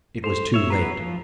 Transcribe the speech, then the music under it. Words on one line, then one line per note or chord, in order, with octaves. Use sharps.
It was too late.
A4 C5 F7
C#5 E5
B3 F#4 B4 A#5 C7
F3